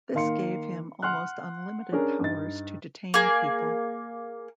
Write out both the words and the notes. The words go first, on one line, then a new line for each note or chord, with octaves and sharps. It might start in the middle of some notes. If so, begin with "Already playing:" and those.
This gave him almost unlimited powers to detain people.
D#3 A#3 F5 C6 C#7
F#5 C6 F6 F#6
C#4 D4 G#4 A#4
G2 D#4 A6
A#3 G#4